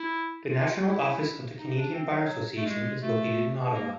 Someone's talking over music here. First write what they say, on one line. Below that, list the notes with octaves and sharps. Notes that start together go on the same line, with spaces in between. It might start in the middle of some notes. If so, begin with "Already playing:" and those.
The national office of the Canadian Bar Association is located in Ottawa.
Already playing: E4
F4
E4
D#4
D4
C4
F#3
A3
G#3
A3
A#3